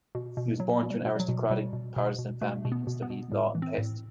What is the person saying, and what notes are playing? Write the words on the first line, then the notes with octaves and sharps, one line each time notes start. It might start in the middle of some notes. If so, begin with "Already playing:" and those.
He was born to an aristocratic Protestant family, and studied law in Pest.
B2
B2
B2 F#3
B2
G3
B2
G3
F#3
B2
B2 G3
B2
B2
B2
B2 A3
B2
B3
B2
B3
B2
A2
E3
C4
A2